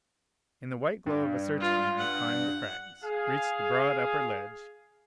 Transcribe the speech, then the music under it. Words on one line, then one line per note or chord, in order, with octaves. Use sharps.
In the white glow of a searchbeam we climbed the crags, reached the broad upper ledge.
G2
F4
F#5
G#4 F5